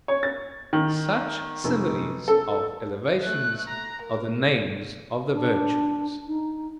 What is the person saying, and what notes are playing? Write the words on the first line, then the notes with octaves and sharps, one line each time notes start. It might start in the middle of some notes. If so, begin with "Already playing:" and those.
Such similes of elevations are the names of the virtues.
C#5
A6
D#3
F1
A4
A3 F#6
A#5
A#4
D4
D#4